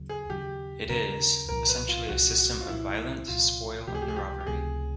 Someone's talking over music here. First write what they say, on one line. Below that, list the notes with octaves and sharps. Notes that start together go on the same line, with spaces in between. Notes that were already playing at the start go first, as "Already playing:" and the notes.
It is... essentially a system of violence, spoil, and robbery.
Already playing: D#2 C#3 F#3
G#4
D#2 C#3 F#3 G4
D#2 C#3 F#3 A#4
C2 A#2 F3 A#4
B4
F4
C2 A#2 F3 F#4
F#4
F4
C2 A#2 F3 E4
C2 A#2 F3 F4
C#2 C3 F3 A3 G4
G#4
G4
G#4
G4
G4
C#2 C3 F3 A3 G#4